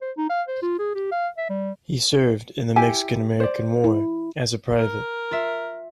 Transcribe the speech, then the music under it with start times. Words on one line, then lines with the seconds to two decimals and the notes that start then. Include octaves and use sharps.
He served in the Mexican-American War as a private.
0.02 C5
0.18 D#4
0.30 F5
0.48 C5
0.62 F4
0.79 G#4
0.95 G4
1.12 F5
1.38 E5
1.50 G3
2.76 E4 G4 G#5
3.40 C5 D5
3.84 E4
4.77 A#4
5.31 F4 E5